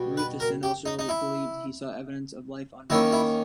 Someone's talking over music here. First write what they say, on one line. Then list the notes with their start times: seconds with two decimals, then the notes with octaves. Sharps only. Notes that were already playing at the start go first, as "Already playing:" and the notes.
Gruithuisen also believed he saw evidence of life on Venus.
Already playing: B2 G3
0.17 B4
0.40 A#4
0.63 G4
0.86 D#4
0.99 D#4
1.09 E4
2.90 D#3 A#3 C#4 E4
3.12 E4